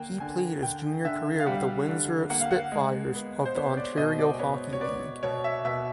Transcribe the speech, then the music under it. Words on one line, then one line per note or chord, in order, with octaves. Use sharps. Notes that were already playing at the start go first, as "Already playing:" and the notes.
He played his junior career with the Windsor Spitfires of the Ontario Hockey League.
Already playing: D3 A#3 G5
D3 G#5
D3 G5
D3 E5
F5
G3 F#5
D3
A#3 F#5
F5
F#5
G#3
B3
C5
B3 C#5
D5
B2 D#5
D5
B3 C#5
C#5
B3 D5
B2 C#5
E5
B2 E5